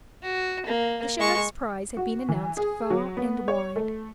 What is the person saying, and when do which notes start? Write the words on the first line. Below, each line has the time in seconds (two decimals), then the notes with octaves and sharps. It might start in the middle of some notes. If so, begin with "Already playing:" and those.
The Sheriff's prize had been announced far and wide.
0.22 F#4
0.66 A#3
1.19 G#3 C#6
1.97 F#4
2.29 E3
2.57 G#4
2.90 F#3
3.17 B3
3.48 C#5
3.76 A3